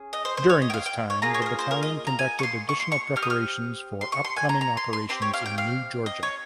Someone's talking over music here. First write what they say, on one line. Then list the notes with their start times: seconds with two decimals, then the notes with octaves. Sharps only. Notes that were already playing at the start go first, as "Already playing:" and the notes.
During this time the battalion conducted additional preparations for upcoming operations in New Georgia.
Already playing: C#4 G#4
0.13 D#5
0.25 C5
0.37 C5
0.49 C#5
0.62 D#5
0.70 G5
0.74 F5
0.86 G5
1.10 C#5
1.22 A#3 F4 G#4 A#5
1.34 C#5
1.42 C5
1.46 A#4
1.59 C5
1.71 A#4
1.83 D#5
2.07 A#5
2.19 G#5
2.39 C#6
2.43 C6
2.69 C#6
2.80 C6
2.92 C#6
3.16 C4 G4 F6
3.23 D#6
3.30 F6
4.01 C6
4.12 C#6
4.24 C6
4.36 G#5
4.49 A#5
4.61 A#5
4.77 C6
4.93 C6
5.09 C4 G4 C6
5.22 C#5
5.34 F5
5.46 G5
5.58 F5
6.06 D#5
6.23 C#5